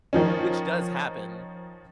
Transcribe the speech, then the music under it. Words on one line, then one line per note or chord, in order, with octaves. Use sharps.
which does happen,
D#3 F3 C#4